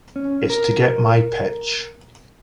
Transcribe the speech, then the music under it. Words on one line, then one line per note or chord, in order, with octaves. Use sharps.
It's to get my pitch.
C#4
A#4